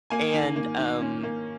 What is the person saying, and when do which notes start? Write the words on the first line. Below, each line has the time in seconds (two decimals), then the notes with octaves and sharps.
And, um,
0.10 A#3 G#5
0.34 D#3
0.56 A#3
0.78 D#3
1.01 C#4
1.23 A#3